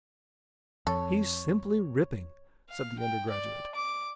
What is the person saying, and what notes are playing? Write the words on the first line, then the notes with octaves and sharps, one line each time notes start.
"He's simply ripping!" said the undergraduate.
F2 A4 C#5
F5
G5
D5
D6